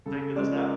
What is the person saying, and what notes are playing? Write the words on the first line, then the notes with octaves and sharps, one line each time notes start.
figure this out.
C#3 A4
F3 G#3 C#4 D5
A#4